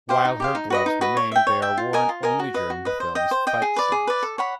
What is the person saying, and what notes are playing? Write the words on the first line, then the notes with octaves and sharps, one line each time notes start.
While her gloves remain, they are worn only during the film's fight scenes.
G4 C5 F5
D#4
G4 C5 F5
D#4
F#4 B4 D#5
D#4
F#4 B4 D#5
C#5
E5 G5
C#5
E5 G5
F4
A#4 D#5 G#5
F4
A#4 D#5 G#5
F#4
B4 D#5
F#4
B4 D#5
C5
D#5 G5
C5
D#5 G5
G#4
B4 D5
G#4
B4 D5
A4
C#5 F#5 B5